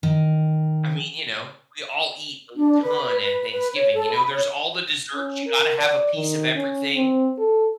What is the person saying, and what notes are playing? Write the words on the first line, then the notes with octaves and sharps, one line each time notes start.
I mean, you know, we all eat a ton at Thanksgiving. You know, there's all the desserts. You gotta have a piece of everything.
D#3
D4
B4
B4
B4
C#5
A4
B5
C#5
C#4
A#4
D5
D#3
C#4
C4
A4